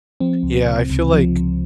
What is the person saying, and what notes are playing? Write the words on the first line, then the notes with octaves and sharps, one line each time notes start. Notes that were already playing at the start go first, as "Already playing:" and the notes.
yeah, I feel like
F3 C4
C#2
C3
C#2
F3
C#2